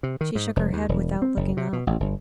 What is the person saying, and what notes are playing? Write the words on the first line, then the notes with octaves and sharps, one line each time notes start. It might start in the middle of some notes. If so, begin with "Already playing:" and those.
She shook her head without looking up.
C3
D#3
G#2
F1
D#2
E1
C4
F#1
C3
B2
A1
G1